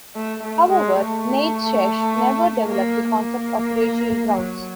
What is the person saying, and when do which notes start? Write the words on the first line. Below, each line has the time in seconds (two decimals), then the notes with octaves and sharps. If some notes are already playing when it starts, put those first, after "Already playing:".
However, Nietzsche never developed the concept on racial grounds.
0.15 A3
0.43 A3
0.71 G#3
1.00 A3
2.69 A#3
3.11 A#3
4.37 F#3